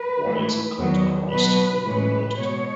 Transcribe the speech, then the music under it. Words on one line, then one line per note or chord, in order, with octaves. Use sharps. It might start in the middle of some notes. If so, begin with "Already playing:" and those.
Why is he called "Christ," meaning "anointed"?
Already playing: B4
G#2 E3 A3
E2 D#3 F#3 B3
B2 F#3 B3 B4
A2 E3 G#3 C#4 B4
B2 G#3 B3 C#5